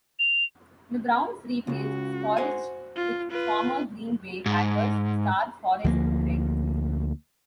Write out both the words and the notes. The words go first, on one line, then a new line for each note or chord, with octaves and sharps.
The Browns replaced Skorich with former Green Bay Packers star Forrest Gregg.
F7
C#2 C#3 F#4
C5 F#5 G#5
F4
F4 B4
G#2
D2 F3 G3 A#3